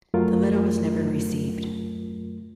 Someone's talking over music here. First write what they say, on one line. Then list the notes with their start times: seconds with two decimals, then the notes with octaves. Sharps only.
The letter was never received.
0.14 F#2 F#3 A3 F4 A#4